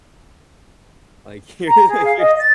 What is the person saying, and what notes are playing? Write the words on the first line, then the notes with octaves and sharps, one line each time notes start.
Like, you're, like, you're s
A#5
G#4
F5
D#5
A6